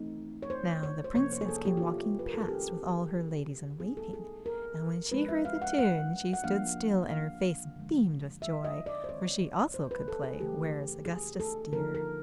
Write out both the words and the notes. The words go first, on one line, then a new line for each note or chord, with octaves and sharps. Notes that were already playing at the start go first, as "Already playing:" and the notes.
Now the Princess came walking past with all her ladies-in-waiting, and when she heard the tune she stood still and her face beamed with joy, for she also could play 'Where is Augustus dear?'
Already playing: E3 A3 C4 D#4
C#5
C5
C#5
C5
C3 F3 A#3 C#4 C#5
C5
G#4
A4
G4
F4
E4
B4
A#4
A4
G#4
D#3 G#3 C#4 G4
A#2 G3 B3 D#4 G#4
A4
G#4
A#4
F3 G#3 C#4 B4
E5
F5
F#5
F#5
F#5
F3 A#3 D4 F5
F5
D3 F3 G#3
E5
D#5
D5
C5
D#3 G#3 C4 C#5
C5
B4
A4
G#4
C#3 E3 A3 G4
G#4
A4
D3 F3 A#3 D#4 A#4
A#4